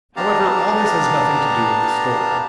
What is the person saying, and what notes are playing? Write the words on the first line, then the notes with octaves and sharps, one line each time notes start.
However, all this has nothing to do with the story.
B3 D4 G4 F5 A5 A#5